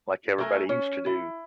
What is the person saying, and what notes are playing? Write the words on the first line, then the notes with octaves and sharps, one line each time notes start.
like everybody used to do.
A3 A#4 G#5
C#4
E4